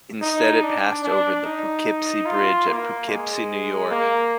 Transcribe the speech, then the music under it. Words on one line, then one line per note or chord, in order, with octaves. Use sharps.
Instead it passed over the Poughkeepsie Bridge at Poughkeepsie, New York.
D#4
D4
D4
D#4
F4
A#3
G#3
A#3